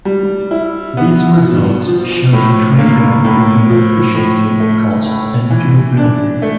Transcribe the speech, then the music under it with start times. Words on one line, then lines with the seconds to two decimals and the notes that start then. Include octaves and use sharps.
These results show the trade-off between efficiency, cost, and durability.
0.05 G3
0.51 E4
0.97 B3
1.43 B2
1.87 F3
2.32 A2
2.78 A#3
3.24 A2
3.69 F3
4.15 A2
4.60 A3
5.06 A2
5.51 E3
5.97 D4
6.42 A3